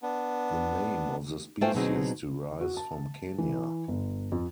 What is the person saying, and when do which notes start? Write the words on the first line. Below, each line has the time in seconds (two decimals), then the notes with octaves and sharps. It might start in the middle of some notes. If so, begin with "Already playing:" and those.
The name of the species derives from Kenya.
0.03 B3 D4
1.61 A3 C#4 F4 C5 G5 G#5
1.74 B2 D3 F#3 C4 D#4 G#4
2.61 F#4
2.77 A5
3.38 E3
3.88 G1
4.32 F2